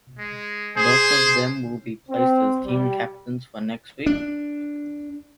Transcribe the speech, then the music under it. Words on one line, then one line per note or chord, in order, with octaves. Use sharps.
Both of them will be placed as team captains for next week.
G#3
G#4 C5
C4
G3
D4